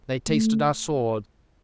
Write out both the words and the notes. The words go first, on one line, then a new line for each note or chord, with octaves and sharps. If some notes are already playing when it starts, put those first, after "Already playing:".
They tasted our swords.
A3